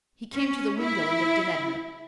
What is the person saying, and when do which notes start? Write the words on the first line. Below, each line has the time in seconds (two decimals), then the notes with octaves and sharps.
He came to the window, and looked in at her.
0.34 C#4
0.82 E4